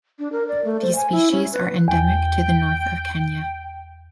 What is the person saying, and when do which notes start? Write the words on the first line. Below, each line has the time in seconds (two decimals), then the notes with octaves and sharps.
These species are endemic to the north of Kenya.
0.19 D4
0.32 A#4
0.48 D5
0.64 A3
0.82 C5
0.96 G#5
1.12 E4
1.31 C#4
1.52 B4
1.88 E2 G5